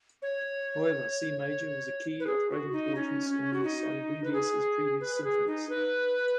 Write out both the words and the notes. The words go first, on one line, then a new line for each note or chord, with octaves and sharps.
However, C major was a key of great importance in Sibelius's previous symphonies.
C#5
B4
G#4
F#4
D#4
C#4
C#4
F#4
D#4
B4
G#4
B4
B4
G#4
D#4
B4